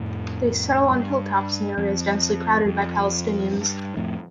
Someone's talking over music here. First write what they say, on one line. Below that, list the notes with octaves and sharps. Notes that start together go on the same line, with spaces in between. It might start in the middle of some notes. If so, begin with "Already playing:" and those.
They settle on hilltops in areas densely crowded by Palestinians.
Already playing: F2 A2
G2
F2
F2
G2
F2 A2